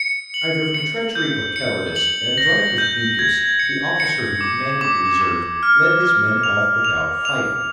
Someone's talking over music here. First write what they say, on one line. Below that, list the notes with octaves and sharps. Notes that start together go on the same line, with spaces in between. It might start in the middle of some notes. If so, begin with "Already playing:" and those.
Either from treachery or cowardice Andronicus Ducas, the officer who commanded the reserve, led his men off without fighting.
Already playing: C#7
F#7
C#7
G6
C#7
F#7
A#6
G6
G#6
C#7
C#7
D6
D6
D6
F6
F6
F7
F7
F7